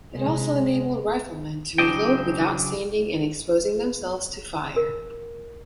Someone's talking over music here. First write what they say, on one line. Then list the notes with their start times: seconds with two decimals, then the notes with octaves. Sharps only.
It also enabled riflemen to reload without standing and exposing themselves to fire.
0.14 C3 G#3
1.78 C#3 F#3 D4 D#5 G5
4.76 A#4